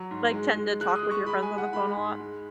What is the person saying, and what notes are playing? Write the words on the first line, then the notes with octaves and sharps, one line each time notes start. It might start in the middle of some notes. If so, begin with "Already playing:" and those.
like tend to talk with your friends on the phone a lot?
Already playing: F#3
G#2
G#3
G#3
G#3 F#6
D#6
G#3
C#6
G#3 B5
G#5
G#3
F#5
G#3 B5
G#2
G#3